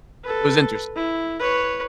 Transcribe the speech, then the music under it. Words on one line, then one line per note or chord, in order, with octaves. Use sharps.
It was interesting.
A4 B4
E4
B4 C#5